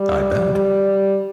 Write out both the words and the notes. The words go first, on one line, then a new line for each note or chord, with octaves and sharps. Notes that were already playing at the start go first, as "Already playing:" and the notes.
I bet.
Already playing: G3
G3